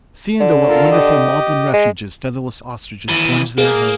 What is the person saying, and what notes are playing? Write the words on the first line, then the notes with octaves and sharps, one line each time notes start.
See into what wonderful maudlin refuges, featherless ostriches plunge their heads!
D3
F4 A4 A#4
G4 D#5
G#3
D#2 E3
A#3 G#4